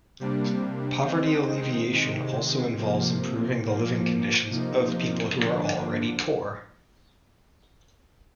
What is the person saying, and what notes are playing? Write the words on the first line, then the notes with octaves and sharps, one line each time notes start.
Poverty alleviation also involves improving the living conditions of people who are already poor.
C3 G3 A#3 D4
D#3 G#3 C4 D#4
C3 D#3 G#3
C3 F3 A#3
A#2 F3 A#3
C3 F3 A#3 D#4
D3 F3 A#3 D4